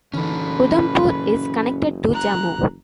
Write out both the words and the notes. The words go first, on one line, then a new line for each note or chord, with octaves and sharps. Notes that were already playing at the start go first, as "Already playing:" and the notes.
Udhampur is connected to Jammu.
F#1 D3 E3 C#4 D#4 A4 B4
A#5 F#6